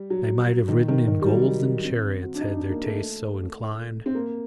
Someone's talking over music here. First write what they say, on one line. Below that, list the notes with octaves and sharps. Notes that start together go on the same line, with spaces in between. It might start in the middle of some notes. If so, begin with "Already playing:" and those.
They might have ridden in golden chariots had their tastes so inclined.
Already playing: G3
F#3
D#3
D#3
D#3
G3
F#3
C4
F#4
D4
D#4
D4
A#3
A3
C4
A#3